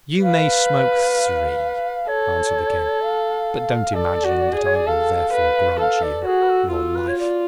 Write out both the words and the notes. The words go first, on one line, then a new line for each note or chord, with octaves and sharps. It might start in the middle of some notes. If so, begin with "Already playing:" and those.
'You may smoke three,' answered the King. 'But don't imagine that I will therefore grant you your life.'
B4 F5
A4 C#5
F5
A4 D5
F#4
G#4
C#5
D5
A4 F5
B4
A4 F5
D5
F#4 G#4
B4
A4
F4 A4
B4
C#5
D5